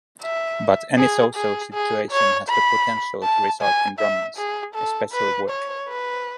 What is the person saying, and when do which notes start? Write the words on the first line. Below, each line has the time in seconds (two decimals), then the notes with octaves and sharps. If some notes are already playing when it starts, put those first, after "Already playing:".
But any social situation has the potential to result in romance, especially work.
0.23 E5
0.97 G#4
1.35 G#4
1.74 G#4
2.11 C#5
2.49 B5
3.23 A5
3.61 G#5
3.99 E5
4.37 G#4
4.74 A4
5.13 B4
5.50 C#5
5.88 B4